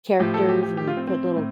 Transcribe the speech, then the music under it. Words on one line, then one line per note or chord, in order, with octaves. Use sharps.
characters and put little
A2 F3 G4
A4
G4
G4
G4
F4
C4
C4
A2